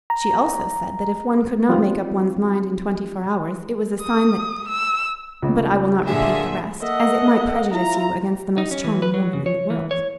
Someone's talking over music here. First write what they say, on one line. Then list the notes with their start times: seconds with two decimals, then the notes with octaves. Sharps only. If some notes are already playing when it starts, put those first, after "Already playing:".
She also said that if one could not make up one's mind in twenty-four hours it was a sign that--but I will not repeat the rest, as it might prejudice you against the most charming woman in the world.
0.10 A#5
1.69 F3 G3 C4 D#4 F4
4.01 D#6
4.69 E6
5.42 C#2
6.07 A#2 D3 G#4 E5
6.82 A#3 A4 D#5 E5 F#5
7.73 E4 F4 A#5
8.58 D#4
8.71 C#4
8.84 E3
9.02 B4
9.14 F#3
9.33 C#3
9.46 C#5
9.70 E3
9.91 C#5